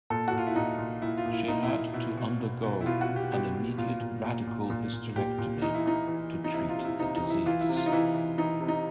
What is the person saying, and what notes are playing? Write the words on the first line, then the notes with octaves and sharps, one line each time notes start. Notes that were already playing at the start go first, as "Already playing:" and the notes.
She had to undergo an immediate radical hysterectomy to treat the disease.
A#2 A4
F#4
A#2 F4
E4
A#2 D#4
A#2
A#2 E4
F4
A#2
E4
A#2 D#4
E4
A#2
B2 E4
B2
B2
B2
E4
B2 F4
F#4
B2
G4
B2 G4
B2
A#2 F4
A#2
A#2
A#2
A#2
A#2
A#2 G4
A#2
E3 D#4
E4
E3 D#4
E3
E3
D#4
C3 E4
F4
C3
E4
C3 D#4
D#4
E3
E4
E3 F4
E4
C3
F4
D#4
E3 E4
E3
E3 D#4
C3
D#4